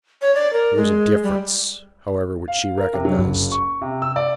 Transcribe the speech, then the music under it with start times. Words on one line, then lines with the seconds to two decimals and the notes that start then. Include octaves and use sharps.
There was a difference, however, which she recognised.
0.22 C#5
0.35 D5
0.53 A#4
0.77 G#3
1.23 G3
2.48 F5
2.78 A#4
2.93 C3
3.05 F#3
3.18 F#1
3.52 C#6
3.81 C3
4.02 E6
4.16 D5